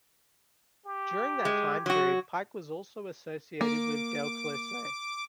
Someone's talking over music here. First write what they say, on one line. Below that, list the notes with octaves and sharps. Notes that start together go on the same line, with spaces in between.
During that time period, Pyke was also associated with Del Close.
G4
G#3
F#3 F#4
A#3 D6